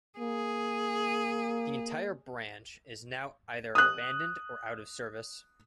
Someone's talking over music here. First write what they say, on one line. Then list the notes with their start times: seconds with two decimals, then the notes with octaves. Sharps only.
The entire branch is now either abandoned or out of service.
0.19 A#3 G#4
3.75 D#6 F#6